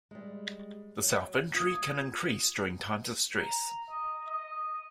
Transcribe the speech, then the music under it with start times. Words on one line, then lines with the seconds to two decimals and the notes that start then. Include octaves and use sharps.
The self-injury can increase during times of stress.
0.11 G3 G#3
1.02 F#3
1.54 F4 D#6 G#6
3.37 A#5
3.89 D#5
4.27 D#5